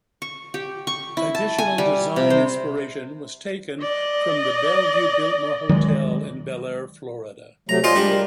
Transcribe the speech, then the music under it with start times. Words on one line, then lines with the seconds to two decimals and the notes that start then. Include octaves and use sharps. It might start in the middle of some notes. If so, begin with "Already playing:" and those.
Additional design inspiration was taken from the Belleview-Biltmore Hotel in Belleair, Florida.
0.22 C#6
0.54 G4
0.87 C#6
1.17 E4
1.35 A5
1.58 G#5
1.78 G3
2.16 C3
2.30 C5
3.81 D5 D#5
5.69 D#3 F#3 G#3
7.69 C3 F#3 A3 A#5
7.84 F4 C5 D5 D#5 G#5 C6
7.96 G3 G#3 D4
8.10 A#4